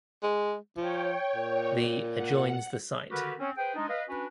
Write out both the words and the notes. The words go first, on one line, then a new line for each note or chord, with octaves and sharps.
The adjoins the site.
G#3
F3 C#5 G5
A#2
F#5
D3 D#3 F#4 G4 A#4 B4
C4 C#4
G#4 B4 C5 G5
G#3 D4 D#4
B4 D#5 F5
C#4 D4 F#4 B4